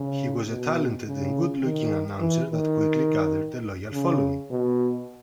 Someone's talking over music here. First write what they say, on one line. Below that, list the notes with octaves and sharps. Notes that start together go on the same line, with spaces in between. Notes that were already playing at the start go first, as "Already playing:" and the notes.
He was a talented and good-looking announcer that quickly gathered a loyal following.
Already playing: C#3
B2
C#3
D#3
E3
D#3
C#3
B2